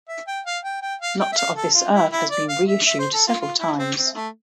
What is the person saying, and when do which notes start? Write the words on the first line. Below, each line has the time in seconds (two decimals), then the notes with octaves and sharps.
"Not of This Earth" has been reissued several times.
0.09 E5
0.27 G5
0.46 F5
0.64 G5
0.82 G5
1.01 F5
1.20 G5
1.32 E5
1.37 F5
1.57 A4
1.75 F4
1.93 E4
2.12 E4
2.31 D5
2.49 F5
2.68 E5
2.86 E5
2.99 C5
3.13 A4
3.27 F4
3.41 F4
3.60 E4
3.79 C4
3.97 C4
4.15 A3